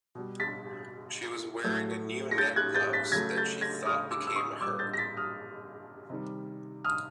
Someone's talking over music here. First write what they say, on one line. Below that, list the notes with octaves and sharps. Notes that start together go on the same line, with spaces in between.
She was wearing a new net blouse that she thought became her.
B2 G3
A6 B6
A2 F#3 A3
A#6
G6 A6
F#6 G#6
G6 A6
A6 B6
C#3 F#3 A3 G#6 A#6
G6 A6
G#6 A#6
D#6 F6
D6 E6
E6
C#6 D#6
A#2 G3 D6 E6
G6 A6
A#6
A6 B6
D#6 F6
C3 D#3 G3
D#6 F6